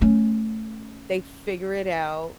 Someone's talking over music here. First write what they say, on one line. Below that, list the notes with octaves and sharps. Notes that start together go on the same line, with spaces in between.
they figure it out,
A3 C#4